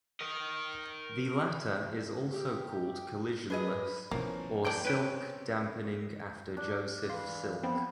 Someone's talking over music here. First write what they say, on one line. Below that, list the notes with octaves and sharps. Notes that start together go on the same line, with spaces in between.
The latter is also called collisionless or "Silk" damping after Joseph Silk.
A#4 D#5
G4
D4 G#4 B4 D#5
B2 E3 F3 A#3 C#4
F2 A#3 D4 G5 G6 G#6
C4 C#4 B4 C#5 G5
D4
E3 F5 C6
F3 B3 C4